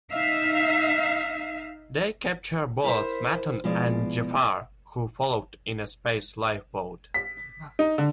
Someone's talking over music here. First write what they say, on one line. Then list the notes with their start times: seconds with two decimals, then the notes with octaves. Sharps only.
They capture both Matton and Jaffar, who followed in a space lifeboat.
0.12 D#4 E5 F5
2.84 E4 A#4 C5 E5
3.64 B2 F3 G#3 E4 D5
7.14 B6
7.79 D#4
7.98 D3